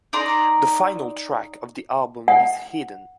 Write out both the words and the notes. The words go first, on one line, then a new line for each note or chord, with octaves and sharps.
The final track of the album is hidden.
D#4 D5 A#5 C6
F#5